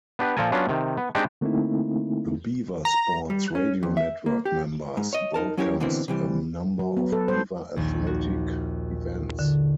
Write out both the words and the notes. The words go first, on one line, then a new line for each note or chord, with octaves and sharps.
The Beaver Sports Radio Network members broadcast a number of Beaver athletic events.
B3 D4 G4 B4
A#2 F3 A4 A#4 G#5
F#3 B3 C#4 D4 F4
C3 D#3
B3
G#3 C4 D4 D#4 G4
D3 A3 A#3 C4 D#4 E4
A#5
G3
C#4
F2
E5
A#3
G4
G#2
C#5 D#5
D#4 A#4 A5
F#3 C#4 E4 G4 A#4 C#5
B2 D3 E3 A#3 C4
C3 E3 G3
F#3
B3
A4
C5
A#1 D#2
F#4
D3